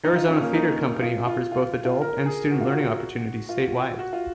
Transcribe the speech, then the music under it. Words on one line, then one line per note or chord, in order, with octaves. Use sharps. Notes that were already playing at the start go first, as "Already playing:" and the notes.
Arizona Theatre Company offers both adult and student learning opportunities statewide.
D#4
F4
C#4
A#3
D#4
F4
F4
F4
F4
A#4
G#4
F#4
F4
F#4
F4
F#4
F#4
F4